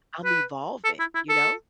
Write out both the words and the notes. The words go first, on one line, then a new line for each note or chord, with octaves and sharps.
I'm evolving. You know?
B4
A4
E4
E4
A4